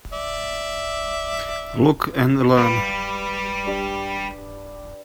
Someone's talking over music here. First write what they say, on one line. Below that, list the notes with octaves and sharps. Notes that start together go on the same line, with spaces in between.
Look and learn.
D5 E5
G3 B4 F5
D4 G4 D5